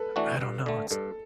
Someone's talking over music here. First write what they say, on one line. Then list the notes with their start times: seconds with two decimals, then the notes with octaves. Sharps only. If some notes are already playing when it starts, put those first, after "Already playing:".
I don't know. It's
Already playing: A4 B4
0.16 E3 A3 D4 F#4
0.41 G2
0.66 D3 A3
0.91 G2 A4